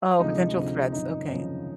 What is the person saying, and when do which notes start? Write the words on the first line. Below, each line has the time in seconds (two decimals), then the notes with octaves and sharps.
Oh, potential threats okay.
0.20 D2 C3 F3 G#3 D#4
0.56 D2 C3 F3 G#3
0.92 G#1 F#2 C#3 F3 D#4
1.28 G#1 F#2 C#3 F3